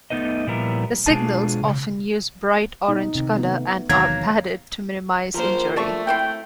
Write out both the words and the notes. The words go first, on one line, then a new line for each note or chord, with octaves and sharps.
The signals often use bright orange color and are padded to minimize injury.
A3 B3 C4 D#4 B4 D#5
A#2 F3 G3 B3 E4 A#4
B2 G#3 D4 F4 G#4 A5
C#3
B2 D#4
C3 D#3
A3 B3
E2 C3 D#3 F#3 A#3 G#6
F3 A#3 A#4 C5
A3 D5 A5 C#6
C4 E4 F#4 G5